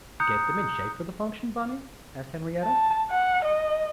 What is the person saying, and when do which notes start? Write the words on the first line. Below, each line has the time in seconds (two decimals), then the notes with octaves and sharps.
"Get them in shape for the function, Bunny?" asked Henriette.
0.20 A#5 D#6 F#6 G6 C#7
2.64 A5
3.11 F#5
3.44 D#5